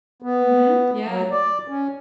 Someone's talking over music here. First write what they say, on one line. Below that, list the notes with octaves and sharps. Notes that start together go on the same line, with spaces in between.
Mhm, yeah.
B3
F#3
D5
C#4